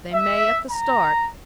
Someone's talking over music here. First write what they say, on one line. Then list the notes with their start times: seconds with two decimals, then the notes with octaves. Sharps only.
"They may at the start."
0.13 E5
0.71 A#5